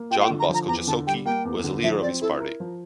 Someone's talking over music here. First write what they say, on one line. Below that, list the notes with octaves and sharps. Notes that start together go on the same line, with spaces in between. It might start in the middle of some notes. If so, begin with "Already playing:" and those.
John Bosco Jasokie was the leader of this party.
Already playing: A#3
F4 G5
F5
G5
D3
A#5
F3
A#5
E2 A#5
D3 A5
G3 G5
A#3 G5
E2
D3
F3 E5
C4 D5
E4 A4
A#4
F3